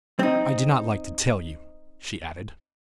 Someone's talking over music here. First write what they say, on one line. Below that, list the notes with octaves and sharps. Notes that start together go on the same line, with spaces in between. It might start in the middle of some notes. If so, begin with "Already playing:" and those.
"I do not like to tell you," she added.
C4 D#4